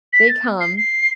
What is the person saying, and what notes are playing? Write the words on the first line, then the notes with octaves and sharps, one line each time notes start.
they come,
B6
A6
C7
C7